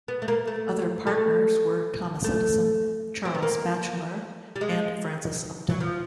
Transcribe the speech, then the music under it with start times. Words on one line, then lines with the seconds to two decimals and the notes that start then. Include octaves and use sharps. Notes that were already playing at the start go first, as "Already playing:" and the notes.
Other partners were Thomas Edison, Charles Batchelor, and Francis Upton.
0.08 B3
0.22 A3
0.28 A#3
0.47 A3
1.07 A3
2.24 A3
3.25 C4
3.35 B3
3.43 A#3
4.56 G3
4.61 G#3
5.70 F#3
5.80 F3